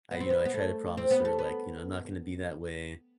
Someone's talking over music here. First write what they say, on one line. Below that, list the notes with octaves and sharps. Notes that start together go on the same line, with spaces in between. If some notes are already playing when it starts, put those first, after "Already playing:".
I you know, I try to promise her, like, you know, "I'm not gonna be that way
B3
C4
B3
B3
A3
C4
B3
A3
B3